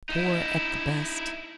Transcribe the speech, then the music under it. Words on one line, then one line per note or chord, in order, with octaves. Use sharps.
Poor at the best...
D#4 E4